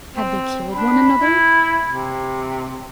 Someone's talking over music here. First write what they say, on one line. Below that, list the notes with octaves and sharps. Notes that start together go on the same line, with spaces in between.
Had they killed one another?
C4
D4 B5
E4
C3